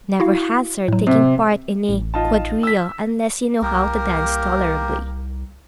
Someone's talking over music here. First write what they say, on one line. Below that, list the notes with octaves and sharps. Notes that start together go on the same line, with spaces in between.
Never hazard taking part in a quadrille unless you know how to dance tolerably.
E4 F#4 F5
A2 F#3
C3
A1
D#4 F4 A5
E6 B6
C2 A#3 G4 A#4